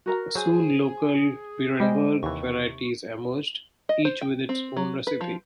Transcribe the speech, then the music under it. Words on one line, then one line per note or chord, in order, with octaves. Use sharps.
Soon local Beerenburg varieties emerged, each with its own recipe.
F#4 A#4 A#5
F#3 G#4 C5 G#5
G3 G#3 C5 D#5
D#2 C3 E3 C#6
D#5
C5
G5
C4
F#3
B4
F3